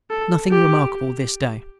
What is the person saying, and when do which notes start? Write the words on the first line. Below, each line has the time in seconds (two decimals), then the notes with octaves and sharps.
Nothing remarkable this day.
0.11 A4
0.51 G4